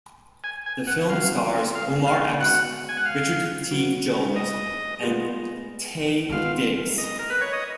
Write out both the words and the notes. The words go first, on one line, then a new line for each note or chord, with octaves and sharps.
The film stars Omar Epps, Richard T. Jones and Taye Diggs.
G#5
G#5
F#5
C#3 G#3 B3 F#4 F5
F5
F5
G#3 B3 F#4 F#5
G#5
F#5
F5
F#3 B3 F#4
D#5
G#3 B3 F4 G#4
G#3 B3 F4 F5
D#5
A#4
B4
C#5
D#5